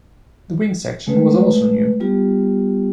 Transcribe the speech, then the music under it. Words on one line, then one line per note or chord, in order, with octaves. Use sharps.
The wing section was also new.
G#3 A3 B4
G3 B3 F4 G4